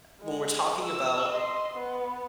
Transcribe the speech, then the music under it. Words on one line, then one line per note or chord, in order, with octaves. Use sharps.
when we're talking about
G#3
E6
D#5 C6
B3